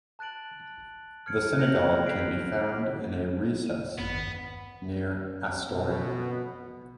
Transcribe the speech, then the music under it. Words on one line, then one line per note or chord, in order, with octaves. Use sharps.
The Synagogue can be found in a recess near Astoria.
A5 F#6 A6 D7 F#7
F6 G#6 C#7 D7
F#6 A#6 C#7 F7 F#7
F#6 G6 B6 C7 D7
F6 D#7
G#1 F#2 B3
E2 G2 D#3
B2 B3